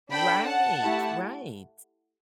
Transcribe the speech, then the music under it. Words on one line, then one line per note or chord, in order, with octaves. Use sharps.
Right, right.
D4 A4 G5 B5
F#5 A5
A3 E4 G4